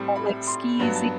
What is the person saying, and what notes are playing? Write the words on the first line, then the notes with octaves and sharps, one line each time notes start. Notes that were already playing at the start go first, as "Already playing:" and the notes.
like, skeezy.
Already playing: A2 G3 C4
B5
C6
G2 F#3 B3
A5